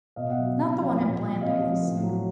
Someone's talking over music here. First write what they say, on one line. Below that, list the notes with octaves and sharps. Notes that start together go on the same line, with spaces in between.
Not the one at Blandings?
B2 D#5 F5
E5 F#5
F#3
C3
F3
A#2
F3
C3 D#5 F5
F3
A2
F#3